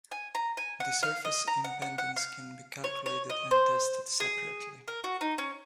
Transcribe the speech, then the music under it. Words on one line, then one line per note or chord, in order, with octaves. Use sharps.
The surface impedance can be calculated and tested separately.
G#5
A#5
G#5
F#5
F5
D#5
A#5
F#5
F#5
F#5
F5
C#5
C#5
D#5
C5
G#4
A#4
F#4
D#4
C#4